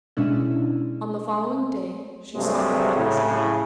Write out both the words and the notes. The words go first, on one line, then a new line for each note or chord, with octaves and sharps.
On the following day, she saw him pass again.
B2 G#3 C#4 D4 E4
G2 C3 F#3 G#3 A3
A2 C#3